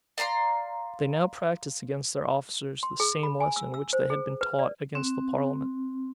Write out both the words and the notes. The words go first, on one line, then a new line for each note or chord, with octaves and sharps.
They now practised against their officers the same lesson which they had been taught against the parliament.
D5 F5 A#5 C6
C6
G#4
B5
G#5
E6
E6
C5
G#4
B4
D5
C4